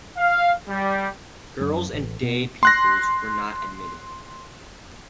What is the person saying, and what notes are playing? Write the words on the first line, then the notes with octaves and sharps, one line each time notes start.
Girls and day pupils were not admitted.
F5
G3
F#2
A1
B2
C6 F#6 A#6